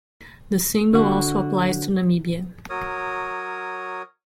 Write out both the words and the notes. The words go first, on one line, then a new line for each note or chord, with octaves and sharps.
The symbol also applies to Namibia.
D3 F#4
F#3 A#4 C#5 D#6